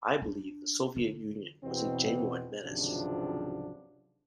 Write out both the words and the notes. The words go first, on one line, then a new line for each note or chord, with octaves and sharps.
I believed the Soviet Union was a genuine menace.
D4
D3
E2 B2 C4
G#1 C#2 C3 F3 F#3 D4